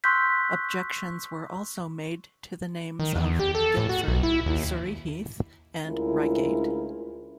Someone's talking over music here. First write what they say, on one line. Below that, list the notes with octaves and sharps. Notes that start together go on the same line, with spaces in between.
Objections were also made to the names of Guildford, Surrey Heath and Reigate.
C6 C#6 E6 F#6 G6 B6
D#3
E2
G4
A4
A2
F#4
B1
E4
D#2
D2 G#3 C#4 E4 F4 A#4